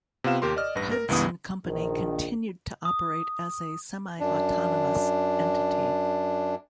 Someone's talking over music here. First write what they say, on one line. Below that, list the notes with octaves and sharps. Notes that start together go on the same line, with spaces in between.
Hudson Company continued to operate as a semi-autonomous entity.
C3 B3 F4 F5 E7
D#2 G4 A#4 C6
D5 D#5 F6
A1 G2 B4 A#6
A#4
C#2 G2 E3 B3 D#6
A#1 D#3
D#6
F#2 D4